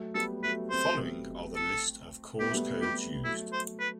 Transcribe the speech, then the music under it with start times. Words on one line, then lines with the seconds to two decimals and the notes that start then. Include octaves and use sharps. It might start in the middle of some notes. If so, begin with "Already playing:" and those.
Following are the list of cause codes used.
Already playing: F#3 A3
0.15 G3 B3 A4
0.43 F#3 A3 B4
0.70 A3 C4 C5
1.56 A4
2.40 B3 G4
2.48 A3
2.54 G3 B3
2.82 G3 B3 G4
3.24 F#3 A3 E4
3.53 C5
3.80 B4